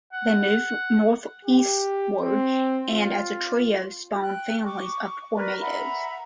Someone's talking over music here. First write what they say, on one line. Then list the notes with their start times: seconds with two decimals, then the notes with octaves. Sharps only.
They moved northeastward, and as a trio spawned families of tornadoes.
0.13 F#5
1.45 G4
2.21 C4
2.89 F4
4.22 G5 F#6
4.65 C#6 D6
5.35 A#4 B4 D5
5.60 E5 F#5 A#5 B5